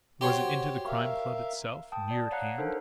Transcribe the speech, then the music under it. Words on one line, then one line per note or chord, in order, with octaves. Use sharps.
Was it into the Crime Club itself--near at hand?
F#4 G4 C5 C#5
A#4 E5 F5
G5 A5 D#6
D5
C#5 F5 F#5 A#5 F#6
D4 D#4 A4 A#4 C5